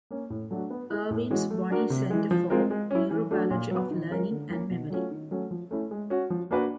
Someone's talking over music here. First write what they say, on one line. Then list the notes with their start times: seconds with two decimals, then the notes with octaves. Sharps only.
Irvine's Bonney Center for Neurobiology of Learning and Memory.
0.11 A#3 C#4
0.30 A2
0.51 F#3 A3 D4 F#4
0.70 B3
0.90 E4 G#4
1.10 A2
1.31 E3 G#3 C#4 F#4
1.50 A3
1.70 D4 F#4 A#4
1.90 C3
2.10 E3 G#3
2.31 F3
2.50 G#3 C4 F4 A#4
2.70 G#3
2.91 C#4 E4
3.11 E3
3.31 A3 D4 F#4
3.50 A#2
3.71 F#3 B3
3.91 D#3
4.11 G#3 C#4 F4 A#4
4.31 D3
4.50 F3 A#3 C#4
4.70 B2
4.90 F#3 A3 C#4 F4
5.11 D#3
5.31 F#3 A3 C#4
5.51 F3
5.71 A3 C#4 E4
5.91 G#3
6.10 C#4 F#4
6.30 F3
6.51 A#3 D4 F#4 B4